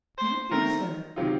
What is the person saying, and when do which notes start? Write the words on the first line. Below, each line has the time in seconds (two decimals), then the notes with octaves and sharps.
"Nothing, sir."
0.18 C5
0.51 D#3 A3 C4 A#4
1.16 C3 D#3 F#3 C4 F4